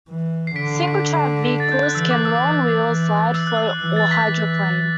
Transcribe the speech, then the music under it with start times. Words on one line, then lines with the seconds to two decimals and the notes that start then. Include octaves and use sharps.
Single-track vehicles can roll on wheels, slide, float, or hydroplane.
0.09 E3
0.47 C7
0.55 D3 B6 D7
1.60 A6
1.72 G6
1.83 F#6
1.95 E3 E6
2.11 D6
2.25 E6
2.41 E3
2.88 E3
3.35 E6
3.47 F#6
3.57 E6
3.80 E3
3.96 A6
4.11 B6
4.26 E3 B6